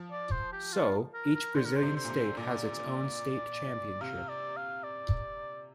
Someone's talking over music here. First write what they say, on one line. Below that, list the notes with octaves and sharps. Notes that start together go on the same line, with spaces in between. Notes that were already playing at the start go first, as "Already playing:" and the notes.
So, each Brazilian state has its own state championship.
Already playing: F3
D5
C5
G4
F4
A#4
A#4
D3 C5
A#4
C5
C3
C5
A#2
C3
A#2 D5
C3 F5
D5
F5
D5